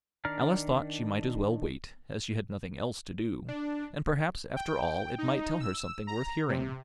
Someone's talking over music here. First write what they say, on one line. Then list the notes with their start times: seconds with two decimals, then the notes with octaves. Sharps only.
Alice thought she might as well wait, as she had nothing else to do, and perhaps after all it might tell her something worth hearing.
0.25 D#3 D4 D5 A#5 F6
3.49 D4
4.56 G5
5.18 D#4
5.60 E6
6.07 A#5
6.49 C3